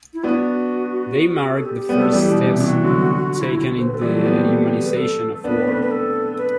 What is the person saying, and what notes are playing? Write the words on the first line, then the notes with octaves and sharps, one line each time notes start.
They mark the first steps taken in the humanization of war.
E4
B3 D4 F#4
A4
G4
G4
G3 B3
F#3 A3 A4
E3 G3 G4
B2
C3
C3 E3 F#4
D3 F#3
E4
F#4
C5
B4
A4
E3 G3 G4
F#3 A3
G3 B3
A3 C4
B4
A4
B3 D4 B4
A3 C4
B4
A4
B4